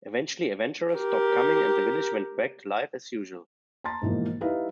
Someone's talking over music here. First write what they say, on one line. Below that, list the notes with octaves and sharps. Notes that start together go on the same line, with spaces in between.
Eventually, adventurers stopped coming, and the village went back to life as usual.
G4 A#4
A5 A#5 C6 A6
G#2 B2 E3 F3 A#3
G3 D#4 E4 B4 E5 F5